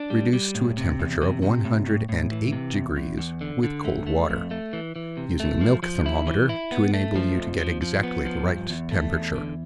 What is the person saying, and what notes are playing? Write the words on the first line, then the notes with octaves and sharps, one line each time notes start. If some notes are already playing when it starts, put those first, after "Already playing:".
Reduce to a temperature of one hundred and eight degrees with cold water, using a milk thermometer to enable you to get exactly the right temperature.
Already playing: D4
G3
G3
A2
C3
E2
C3
C3
A2
A2
A2
E3
C3
E2
E2
E2
D3
D3
A3
A3
F2
A3
E3
E3
C3
A3
F3
F3
E4
E3
E4
B3
A3
F3
F2
F3
F3
B3
F3
G2
E2
A3
E2
D3